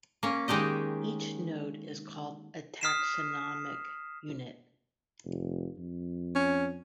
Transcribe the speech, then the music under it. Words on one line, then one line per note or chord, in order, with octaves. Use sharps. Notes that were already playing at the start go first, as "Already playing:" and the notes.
Each node is called a taxonomic unit.
A#3 C#4
D#3 G#3 D#4 G4 D#5
D#6 F6 B6 C7 D#7 E7
F1
F2
C#4